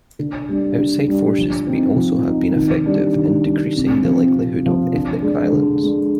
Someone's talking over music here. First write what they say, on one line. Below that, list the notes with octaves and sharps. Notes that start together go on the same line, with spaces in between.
Outside forces may also be effective in decreasing the likelihood of ethnic violence.
D3
G3 D4
D3
G3 D4
F3
C4 D#4
F3
C4 D#4
D#3
G3 D4
D#3
G3 D4
C3
F3 C4
C3
F3 C4
D3
G#3 D4
D3
G#3 D4